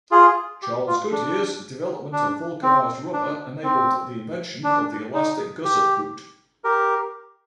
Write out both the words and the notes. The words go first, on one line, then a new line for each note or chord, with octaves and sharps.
Charles Goodyear's development of vulcanised rubber enabled the invention of the elastic gusset boot.
F4 G#4
G4
F4
D4
D4
C4
D4
C4
D4
D#4
G4
G4 A#4